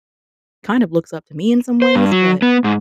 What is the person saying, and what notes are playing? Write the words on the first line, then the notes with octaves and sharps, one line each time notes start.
kind of looks up to me in some ways, but
C5
G2
F#3
B3
G#2